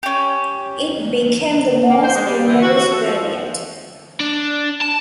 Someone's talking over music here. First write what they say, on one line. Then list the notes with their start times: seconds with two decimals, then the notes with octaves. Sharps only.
It became the most numerous variant.
0.03 C#4 G4
1.90 A#3
2.03 C5
2.15 G#3
2.26 G3
2.47 E3
2.62 F#4
2.77 F#4
2.91 A4
3.04 F3
4.20 D4
4.82 A5